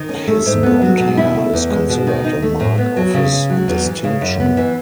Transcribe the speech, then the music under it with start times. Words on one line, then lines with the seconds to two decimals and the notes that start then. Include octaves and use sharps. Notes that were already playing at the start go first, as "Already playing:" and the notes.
His blond hair is considered a mark of his distinction.
Already playing: D#3
0.09 C#4
0.27 A3
0.46 G#2
0.63 B3
0.82 F#3
1.00 B2
1.17 E4
1.35 A3
1.53 E2
1.70 G#3
1.89 B2
2.07 D#3
2.24 D#4
2.42 A3
2.60 A2
2.78 B3
2.96 F#3
3.14 C#3
3.32 C#4
3.50 F#3
3.68 E2
3.86 E3
4.04 C#3
4.21 F#2
4.40 B3
4.57 E3